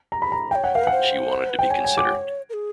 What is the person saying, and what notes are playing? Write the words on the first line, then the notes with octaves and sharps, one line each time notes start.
She wanted to be considered.
A#5
B5
A#5
C#5 F5 G5
F#5
A#4 F5
B4
C5 F#5
B4
C5 G5
C#5 G#5
G#5
D6
A#4
G#4